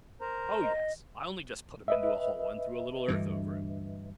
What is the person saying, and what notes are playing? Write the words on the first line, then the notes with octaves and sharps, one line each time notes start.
'O yes, I only just put him into a hole, and threw a little earth over him.
A#4 C5 A#5
D#5
B4 D#5 E5
D2 G2 E3